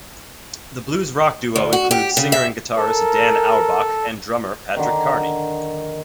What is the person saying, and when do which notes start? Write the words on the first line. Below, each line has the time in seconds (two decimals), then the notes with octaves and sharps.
The blues-rock duo includes singer and guitarist, Dan Auerbach, and drummer, Patrick Carney.
1.56 D2
1.73 F#4
1.91 G4
2.17 C#3
2.32 E5
2.77 A4 A#4
4.77 D3 D#3